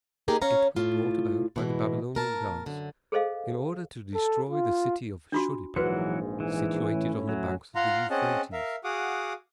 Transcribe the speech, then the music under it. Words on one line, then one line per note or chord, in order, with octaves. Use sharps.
It was brought about by the Babylonian gods in order to destroy the city of Shurippak, situated on the banks of the Euphrates.
A#3 D#4 G4 G#4 A#4
C#4 C#5 F5 A#5
A2 F4
B2 E3 G#3
A#2 A#4 A5
F#2 D3
G#4 A4 C5 D#5 F5
A4
F4
D4 F4 F#4
A#1 G#2 E3 F#3 F#4 B4 F#5
E3
A2 C#4 E4
F#3
F4 F5 F#5 A#5 C6
C4 C#4 G#4 D#5 F#5 A5
A#4 E5 F5
F#4 G#4 F5 F#5 D6 D#6